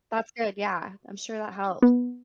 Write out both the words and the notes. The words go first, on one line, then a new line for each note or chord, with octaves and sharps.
that's good, yeah, I'm sure that helps.
B3